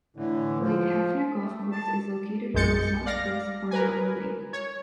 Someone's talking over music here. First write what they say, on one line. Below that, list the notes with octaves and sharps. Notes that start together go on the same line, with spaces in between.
Lake Hefner Golf Course is located on the southwest corner of the lake.
A2 D3 E3
F3
A3
A5
A#1 F#2 G#3 G6 A6 C#7
D5 F5 A#6
A#4 B4 G#5
C#5